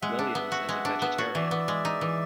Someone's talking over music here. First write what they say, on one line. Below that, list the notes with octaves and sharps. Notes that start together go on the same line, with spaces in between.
Williams is a vegetarian.
G#3 E5 F#5
D4
B3
F#4
G#3
D4
B3
F#4
E3 D5 E5
B3
G#3
D#4
E3